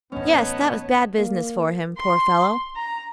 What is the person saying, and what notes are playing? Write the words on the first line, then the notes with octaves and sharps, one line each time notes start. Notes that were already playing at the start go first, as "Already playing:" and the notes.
Yes, that was bad business for him, poor fellow!
E2 A2 B3 C#4 D#4 C#5 A5
A#3
C6
A#5